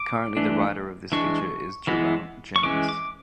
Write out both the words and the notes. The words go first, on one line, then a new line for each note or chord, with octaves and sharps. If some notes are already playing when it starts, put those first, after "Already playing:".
Currently the writer of this feature is Geraint Jennings.
Already playing: D6
E3 A3 D4
E3 G#3 D4 C#6
E3 G#3 B3 E4
C#6
E3 G#3 C#4 D6
D6